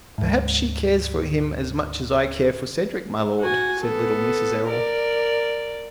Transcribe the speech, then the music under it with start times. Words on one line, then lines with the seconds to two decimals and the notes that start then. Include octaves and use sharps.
"Perhaps she cares for him as much as I care for Cedric, my lord," said little Mrs. Errol.
0.18 D2 G#2
3.40 F#4 G#5
3.81 B3 A4
4.68 A#4 D5